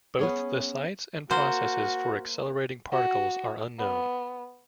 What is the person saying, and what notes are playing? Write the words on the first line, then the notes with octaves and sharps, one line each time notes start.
Both the sites and processes for accelerating particles are unknown.
B3 C#4 G#4
A#3 F#4 C5
F#4
B3